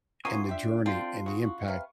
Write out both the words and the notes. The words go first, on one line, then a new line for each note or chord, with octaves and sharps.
in the journey and the impact
E3 F#3 C#4 F4 G#5 C#6 D#6
D4 G4 E5
D3 C4 F4 D5 G5
C#3 F#4 C#6
C3 B4 F5